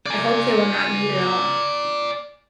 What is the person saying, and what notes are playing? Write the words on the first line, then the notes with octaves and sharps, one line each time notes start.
I hope they will not meet at all.
D5 G#5